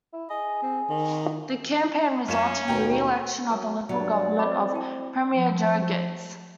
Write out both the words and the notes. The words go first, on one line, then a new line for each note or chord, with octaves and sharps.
The campaign resulted in the re-election of the Liberal government of Premier Joe Ghiz.
E4
G#4 D#5
C4
D#3
F#2 C#4 F4 E7
D#2 B2 G5 A#5
F#3 A4 A#4 G#5
G2 F#3 D5
C4 D#5 B5 D6
E4 G5 A5
F3